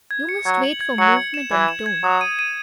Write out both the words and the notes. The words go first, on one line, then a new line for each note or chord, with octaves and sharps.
You must wait for movement and tone.
G#6
C#7
F#3 G#6
F#7
G#6
F#3 C#7
G#6
E7
E3 G#6
E7
G#6
F#3 D#6
D#7
D#7